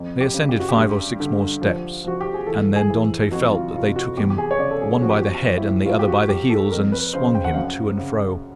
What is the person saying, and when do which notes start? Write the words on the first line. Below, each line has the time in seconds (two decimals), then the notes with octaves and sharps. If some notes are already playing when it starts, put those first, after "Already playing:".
They ascended five or six more steps, and then Dantes felt that they took him, one by the head and the other by the heels, and swung him to and fro.
Already playing: F2
0.21 G4
0.34 C#3
0.49 G4
0.60 F#4
0.69 G4
0.77 G2
1.20 D3
1.62 F3
2.04 F3 F#4
2.21 G4
2.34 G#4
2.47 E3 A4
2.76 G#4
2.90 E3
3.31 F2 F#4
3.53 F4
3.74 C3 F4
3.96 F#4
4.17 E2 G4
4.30 G4
4.38 G#4
4.51 C#5
4.59 C#3 D5
4.71 A4
4.81 G#4
5.01 F3 F#4
5.10 G4
5.20 F#4
5.44 F3
5.58 E4
5.86 F#3 F4
5.99 G4
6.08 F#4
6.29 F#3 G4
6.50 A4
6.72 F2 A#4
6.92 B4
7.13 C#3 C5
7.35 G5
7.44 F#5
7.54 F#2 F5
7.64 F#5
7.98 C#3